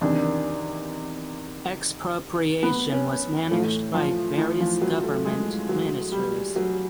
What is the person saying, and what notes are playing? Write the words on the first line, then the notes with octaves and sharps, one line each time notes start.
Expropriation was managed by various government ministries.
E2 C3 D#3 D4
B3
C#4
A2 E3 A3
F3
E3
F3
F#3
A3
G#3
F#3
G3
F#3